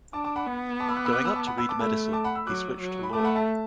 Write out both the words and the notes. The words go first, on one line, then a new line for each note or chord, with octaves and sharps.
Going up to read medicine, he switched to law.
D4 A5 D6
A5 D6
F#5 B5
B3
A5 D6
B5 E6
D6 F#6
B5 E6
D6 F#6
B5 E6
A5 D6
F#5 B5
B5 E6
A5 D6
A3 B5 E6
A5 D6
F#5 B5
B5 E6
F#3 D6 F#6
F#3
B5
A3 A5 D6
F#5 B5
E5 A5